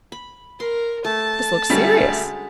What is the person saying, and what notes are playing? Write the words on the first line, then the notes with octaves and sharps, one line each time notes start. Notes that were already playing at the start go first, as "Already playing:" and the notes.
This looked serious.
B5
A#4 C6
A3 A5
D2 G3 G#3 C#4 F#4 B6